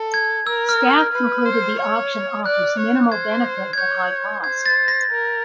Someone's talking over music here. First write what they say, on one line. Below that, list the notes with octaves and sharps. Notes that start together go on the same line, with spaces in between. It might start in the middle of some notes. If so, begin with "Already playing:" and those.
Staff concluded the option offers minimal benefit but high cost.
Already playing: A4
G#6
A#4 E6
F6
F6
B4
C5
C#5
D5 F#6
C#5
C5 G#6
G#6
C#5 G6
C5 G#6
A6
A#6
A#4